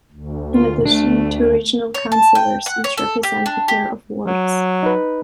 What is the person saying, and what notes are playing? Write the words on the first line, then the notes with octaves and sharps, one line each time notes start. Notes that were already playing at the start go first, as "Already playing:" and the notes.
In addition, two regional councillors each represent a pair of wards.
D2
F4
A3 D4
C#5
A5
G5
F#5
C#5
A4
G4
D4
G4
F#3
D#4 B4